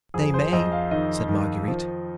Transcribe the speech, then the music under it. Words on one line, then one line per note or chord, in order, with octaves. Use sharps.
"They may," said Marguerite.
F2 G#4
C5
F2 D#5
F5
D#3 D#5
D#3
F3